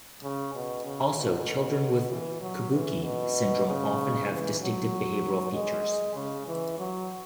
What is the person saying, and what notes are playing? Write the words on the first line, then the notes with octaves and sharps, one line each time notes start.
Also, children with Kabuki syndrome often have distinctive behavioral features.
C#3
B2
C#3
B2
E3
F#3
E3
B2
C#3
E3
F#3
G#3
C#3
E3
F#3